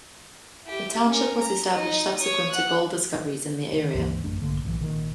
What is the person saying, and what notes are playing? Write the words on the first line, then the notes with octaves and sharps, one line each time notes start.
The township was established subsequent to gold discoveries in the area.
E4 G4
C#4 A#4
A#5
D#4 D#5
C#5 D#6
F#5 F#6
D#3
C#2 G2 E3 A#3
A1 F#2 A3 D4
A#1 G2 D3 A#3
B1 A2 D#3 E3
G#1 A#2 D#3